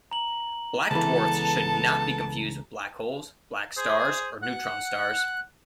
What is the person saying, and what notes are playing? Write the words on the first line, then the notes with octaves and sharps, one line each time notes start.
Black dwarfs should not be confused with black holes, black stars, or neutron stars.
A#5 F#7
C#2 E3 B3 A4 A5
G#4 C5
F#5 F#6